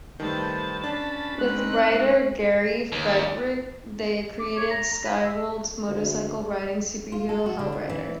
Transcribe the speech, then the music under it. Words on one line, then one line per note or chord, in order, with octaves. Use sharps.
With writer Gary Friedrich, they created Skywald's motorcycle-riding superhero "Hell-Rider".
D#3 G3 A3 B4 C5 A5
C#4 D4 B5
G#3 C4 D#4 F#6
D#2
D6
C#5
A#5
A#5
B4
E5
D2
F4
A4
F#4
D3
D2
E3